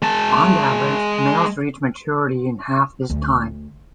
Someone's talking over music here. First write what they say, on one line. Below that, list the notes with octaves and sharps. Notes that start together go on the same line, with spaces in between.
On average, males reach maturity in half this time.
G#3 A5
D2